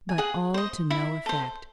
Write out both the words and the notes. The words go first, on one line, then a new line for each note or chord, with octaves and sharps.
But all to no effect.
G#5
G#4 F#5
C5 D#5
E4 E5
A4 C5